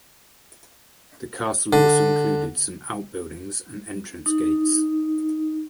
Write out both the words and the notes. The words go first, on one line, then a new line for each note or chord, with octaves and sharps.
The castle also included some outbuildings and entrance gates.
D3
D#4